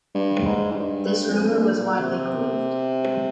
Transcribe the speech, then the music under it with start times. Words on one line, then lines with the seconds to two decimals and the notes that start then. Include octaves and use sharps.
This rumor was widely believed.
0.15 G2
0.45 G#2
0.71 G#2
0.76 G2
1.06 G2
1.30 F2
1.52 G2
1.76 A#2
1.99 C3